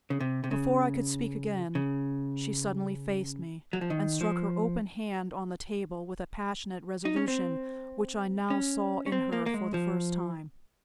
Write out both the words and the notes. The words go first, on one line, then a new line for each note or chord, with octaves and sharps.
Before I could speak again, she suddenly faced me, and struck her open hand on the table with a passionate resolution which I now saw in her for the first time.
C#3
C3
C3
C#3
C#3
F#3
F3
D#3
F3
D#4
C#4
C4
C#4
C#4
C4
A#3
A#3
G#3
F3